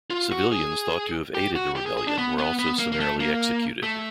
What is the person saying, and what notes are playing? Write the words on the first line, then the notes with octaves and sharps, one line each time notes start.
Civilians thought to have aided the rebellion were also summarily executed.
F4
F#4
G#4
G4
F#4
G4
G#4
G#4
D4
B3
B3
B3
A#3
A#3
A3
A#3
A3